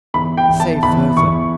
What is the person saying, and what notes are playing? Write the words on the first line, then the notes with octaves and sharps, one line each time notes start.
Say further.
E2 B5
G5
E2
A5
E2 B5
E2 C#6